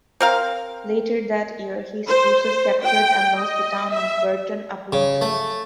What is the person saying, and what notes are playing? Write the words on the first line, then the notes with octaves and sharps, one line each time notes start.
Later that year, his forces captured and lost the town of Burton upon Trent.
C4 A#4 F5
C5
C5
G5
D#5
E5
C#3
A3